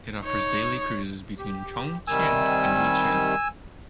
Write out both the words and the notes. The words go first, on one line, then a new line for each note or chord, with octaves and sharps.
It offers daily cruises between Chongqing and Yichang.
D#4 C#5
G4
C3 D#3 G3 G#5 E6